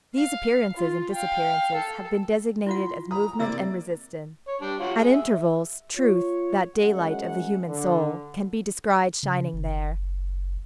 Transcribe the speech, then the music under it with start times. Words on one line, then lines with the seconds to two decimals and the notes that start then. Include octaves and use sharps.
These appearances and disappearances have been designated as movement and resistance. At intervals, truth, that daylight of the human soul, can be descried shining there.
0.16 F5
0.77 F4
1.12 F5 G5
1.74 A4
2.66 E4 F4 F#5 C6
3.11 A#5 B5 D#6
3.40 C3 A#3 E4 D5 E6
4.48 C#5
4.61 G3 D4
4.80 F4 F#4 C#5
4.96 G#3
5.12 E5
5.97 F4 C#5
6.76 F#2 G#3 F#5
7.68 D3
9.23 C#3
9.54 F#1